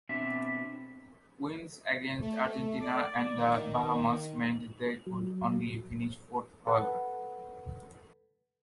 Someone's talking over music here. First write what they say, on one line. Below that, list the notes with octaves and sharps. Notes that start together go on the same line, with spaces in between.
Wins against Argentina and the Bahamas meant they could only finish fourth however.
B2 C4 D4 E5
A3
D5
D#3
F#3
A4 B4 F#5